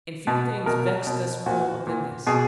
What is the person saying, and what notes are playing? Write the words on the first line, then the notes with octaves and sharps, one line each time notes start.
And few things vexed us more than this.
B2
B2 A#4
B2
A#2 F#4
A#2
B2 G#4